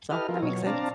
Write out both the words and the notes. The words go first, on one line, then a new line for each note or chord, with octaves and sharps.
So, that makes sense.
E4 G4 A4 B4 D#5 F6
F3 E4 F4 A#4
B2 F#3 C#5
C4 D4 D5 F5 A5 A#5